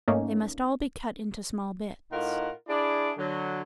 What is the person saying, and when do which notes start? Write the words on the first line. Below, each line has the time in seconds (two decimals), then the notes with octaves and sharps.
They must all be cut into small bits.
0.08 G#2 A3 A#3 C#4 D#4
2.12 A2 D#4 F4 A#4 F#5
2.68 D4 E4 G#4 D5
3.18 D3 F#3